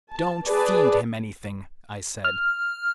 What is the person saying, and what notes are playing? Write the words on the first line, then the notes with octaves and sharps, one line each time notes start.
"Don't feed him anything," I said.
A5
G#4 B4 D5 A5
F6